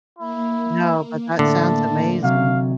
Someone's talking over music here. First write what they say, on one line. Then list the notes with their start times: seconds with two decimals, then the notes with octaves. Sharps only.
No, but that sounds amazing.
0.19 A#3 E4
1.39 A2 D3 A5
2.23 C3 F#3 F5